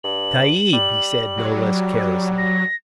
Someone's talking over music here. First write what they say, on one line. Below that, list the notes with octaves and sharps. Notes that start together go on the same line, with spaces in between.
"Tayeeb," he said, no less carelessly.
G2 F#7
G3
F#3
A#6